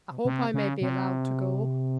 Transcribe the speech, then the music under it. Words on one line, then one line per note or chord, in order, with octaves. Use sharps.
'I hope I may be allowed to go?'
C3
C#3
C3